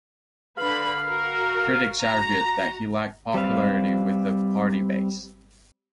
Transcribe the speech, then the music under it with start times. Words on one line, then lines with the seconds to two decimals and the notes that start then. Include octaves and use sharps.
Critics argued that he lacked popularity with the party base.
0.58 D3 B4 F5 B5
1.07 F#4 A#4
1.97 F#4 A#5
3.34 G3 C4 B4 F5